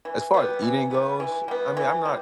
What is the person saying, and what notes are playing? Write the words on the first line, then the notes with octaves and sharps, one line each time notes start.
As far as eating goes, I mean, I'm not
E3
G3 B3
E3
G3 B3
E3
G3 B3
E3
G3